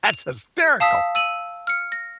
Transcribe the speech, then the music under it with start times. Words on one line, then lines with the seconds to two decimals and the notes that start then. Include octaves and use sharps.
that's hysterical.
0.05 F7
0.80 F5 A5 D#6 E6 B6
1.15 E6 D#7 F#7
1.67 F6 C#7
1.92 A#6